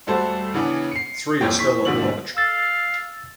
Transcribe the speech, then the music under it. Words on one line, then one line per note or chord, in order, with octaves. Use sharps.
Three are still at large.
D#1 G3 A3 F#4 C5 A5
C#3 E3 B3 C#4 D4
C7 C#7
F2 A#2 C#5 G5
E3 C#6 B6
D#2 G#2 B2 D3 F3 F#7
F5 E6 A6